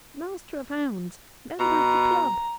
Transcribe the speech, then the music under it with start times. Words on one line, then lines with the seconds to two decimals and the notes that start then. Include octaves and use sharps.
Master of hounds! member of the club!
1.59 B2 A#5